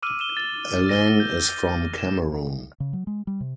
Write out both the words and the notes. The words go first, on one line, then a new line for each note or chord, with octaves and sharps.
Alang is from Cameroon.
D6 E6 F6 D#7
E7 G7
A6
A#6 D#7 G7
G6
E7
C#3
F#3
G#3
G3
C3